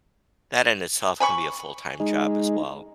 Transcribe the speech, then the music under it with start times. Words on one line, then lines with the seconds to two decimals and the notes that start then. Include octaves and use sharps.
that in itself can be a full-time job as well.
1.20 G#5 B5 C#6
2.00 G#3 D#4